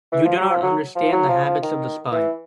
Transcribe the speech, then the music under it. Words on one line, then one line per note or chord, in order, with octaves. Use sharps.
You do not understand the habits of the spy.
E3
F3
F#3
F3
F#3
F3
F#3
F3
F3
D#3
E3